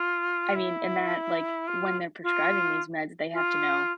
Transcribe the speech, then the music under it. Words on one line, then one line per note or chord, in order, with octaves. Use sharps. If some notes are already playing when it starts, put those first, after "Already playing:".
I mean, and that like, when they're prescribing these meds, they have to know,
Already playing: F4
E4
F4
F4
F4